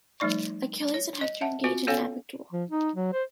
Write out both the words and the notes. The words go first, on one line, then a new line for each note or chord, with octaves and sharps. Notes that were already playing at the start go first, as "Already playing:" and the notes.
Achilles and Hector engage in an epic duel.
F3 G3 A3 D#4 D5 C#6
C#5
D#5
E5 F#5 A5
C4 F4 F#4
B3 C#4 A4 C#5 F5 G#5
F3
D#4
F#3
C5